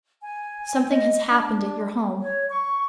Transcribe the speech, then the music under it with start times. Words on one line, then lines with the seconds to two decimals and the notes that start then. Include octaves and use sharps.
Something has happened at your home.
0.20 G#5
0.91 D#5
1.30 D4
2.21 C#5
2.48 C#6